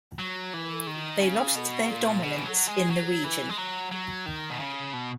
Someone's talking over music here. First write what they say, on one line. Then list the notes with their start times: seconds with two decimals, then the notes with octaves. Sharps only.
They lost their dominance in the region.
0.19 F#3
0.54 E3
0.87 D#3
1.21 C#3
1.55 B2
1.89 A#2
2.22 B2
2.36 E3
2.45 F#3
2.67 G#3
2.90 F#3
3.24 E3
3.50 G#3
3.58 F#3
3.92 F#3
4.26 D#3
4.50 B2
4.60 C#3
4.93 B2